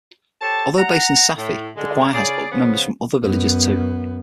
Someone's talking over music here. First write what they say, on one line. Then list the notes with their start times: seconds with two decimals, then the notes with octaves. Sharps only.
Although based in Safi, the choir has members from other villages too.
0.41 G4 A4 C5 C#5 A5
0.78 F#5 A#5
1.37 A2
1.76 D3 G#3
2.13 C#3 G#4 D5
2.52 C#3 F3 B3
3.22 F#2 B3